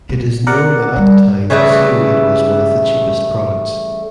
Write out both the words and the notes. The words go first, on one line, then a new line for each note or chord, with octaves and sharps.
It is known that at the time seaweed was one of the cheapest products.
C3 B3
A#4 D5 F#5
G3 A#3
C#3 E3 G3 A3